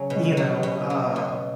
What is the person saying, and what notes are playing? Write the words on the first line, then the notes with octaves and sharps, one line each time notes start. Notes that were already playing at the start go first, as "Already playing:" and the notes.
You know, uh,
Already playing: C#3 F#3 C#4
B2
F#3
B2
F#3
B2